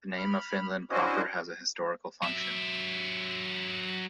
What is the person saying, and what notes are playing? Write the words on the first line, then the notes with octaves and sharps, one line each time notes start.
The name of Finland Proper has a historical function.
B5 F6
C#4 D4 E4 F#4 C5 D#5
F#3 E5